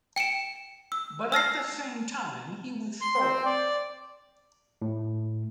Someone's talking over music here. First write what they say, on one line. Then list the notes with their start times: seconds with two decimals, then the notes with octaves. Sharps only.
But at the same time, he was thorough.
0.16 G5 C#7 D7 E7
0.92 E6
1.32 E6 F6 A#6 C7
3.01 C6
3.19 C4
3.46 D5
4.82 A2